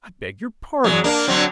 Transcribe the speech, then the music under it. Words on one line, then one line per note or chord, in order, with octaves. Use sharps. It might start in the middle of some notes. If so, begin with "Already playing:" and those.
I beg your pardon, Sir.
E2 F#3
A#3 D4
D3 F#3 C4